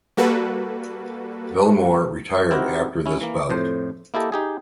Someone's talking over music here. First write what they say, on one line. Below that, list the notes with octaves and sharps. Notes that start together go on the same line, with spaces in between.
Villamor retired after this bout.
G3 A#3 F#4 A4 B4
C4 D#4 E4 F#4 G4 A#4
C#4 E4
E3 A#3
F2 A2 C5
A#3 E4 G4 A4 D#5
D#4 G4 G#4